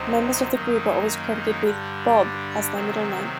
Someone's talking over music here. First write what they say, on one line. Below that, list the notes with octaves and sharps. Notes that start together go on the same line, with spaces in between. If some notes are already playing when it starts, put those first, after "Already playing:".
Members of the group are always credited with "Bob" as their middle name.
Already playing: D2 C3 F#3 C4 D#4
F#2 D#3 F#3 A#3 D#4
G2 D3 G3 D4
C3 D#3 F#3 C4